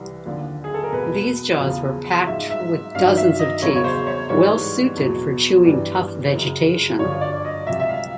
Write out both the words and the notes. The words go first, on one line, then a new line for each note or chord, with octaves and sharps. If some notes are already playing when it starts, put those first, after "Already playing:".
These jaws were packed with dozens of teeth, well suited for chewing tough vegetation.
Already playing: C2 E3 G3
D#2 D3 F3
G#4
A4
A#4
E2 B2 F#3 B4
E2 C#3 F3
G#2 F3 E5
E5
G2 D#3 F#3 F5
E5
D#5
E2 C#3 F#3 C#5
C#5
C5
C#5
G#2 E3 G3 C#5
E2 B2 F#3
G2 E3 G3
F#2 C#3 F#3
G2 D3 F3 C#5
C#5
D5
D#5
C#2 C3 F3 E5
E5
F5